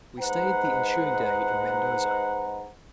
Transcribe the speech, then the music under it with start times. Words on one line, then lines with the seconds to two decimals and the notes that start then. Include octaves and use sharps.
We stayed the ensuing day in Mendoza.
0.19 G#3 D#4 B4 C5 F#5 A#5